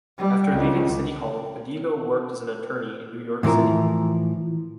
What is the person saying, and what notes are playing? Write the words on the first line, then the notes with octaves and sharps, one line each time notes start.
After leaving City Hall, Badillo worked as an attorney in New York City.
G3
C#2
A2 E3 F3 A#4